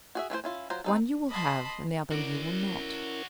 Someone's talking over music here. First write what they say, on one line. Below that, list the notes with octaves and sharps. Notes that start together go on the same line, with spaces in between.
One you will have, and the other you will not.
F#4 G#4 E5
E3 A3 F#4 C5
C#4 E4 F4
F#3 F4 C5 A#5
C4 D#4 A4
D#5 A5 B5 C6
C#4 E4 F#4 A#4 D5